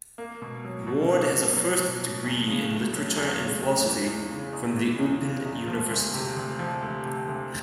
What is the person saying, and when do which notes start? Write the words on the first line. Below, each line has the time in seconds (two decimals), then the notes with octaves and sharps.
Ward has a first degree in Literature and Philosophy from the Open University.
0.18 A#3
0.42 B2
0.65 F#3
0.87 B2
1.11 A#3
1.34 B2
1.57 F#3
1.79 B2
2.02 F#3
2.25 E2
2.48 C#3
2.71 A3
2.93 F#3
3.16 E2
3.39 C#3
3.62 A3
3.85 E3
4.07 E2
4.31 C#3
4.53 E2
4.77 E3
4.99 E2
5.22 C#3
5.45 E2
5.68 F3
5.90 D2
6.14 C3
6.37 D2
6.59 F3
6.82 D2
7.06 C3
7.28 D2